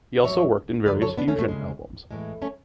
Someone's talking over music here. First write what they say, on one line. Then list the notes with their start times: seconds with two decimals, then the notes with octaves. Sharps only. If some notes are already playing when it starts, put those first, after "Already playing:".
He also worked in various fusion albums.
0.24 G#2 F#3 C#5 E5
0.86 F#2 D3 F#3 B4 D5
1.02 A4 C#5
1.18 B3 D4
1.28 A3 C#4
1.39 A3
1.48 D2 C#3 G#3
2.11 A2 E3 G#3
2.42 A3 C#4